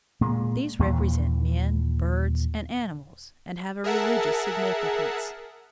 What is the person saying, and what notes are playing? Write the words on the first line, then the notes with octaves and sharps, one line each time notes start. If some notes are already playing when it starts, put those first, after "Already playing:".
These represent men, birds and animals and have a religious significance.
A#2 G#3
D#2 A#2 E3
G#4 A#4 E5 F#5 A5